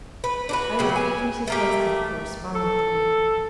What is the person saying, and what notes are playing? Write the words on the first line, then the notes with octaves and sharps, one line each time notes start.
I have engaged Mrs. Weston to correspond with me.
B4
D4 F#4 B4
C#3 F#3 G4
G#5
A3 A#3 G4
A4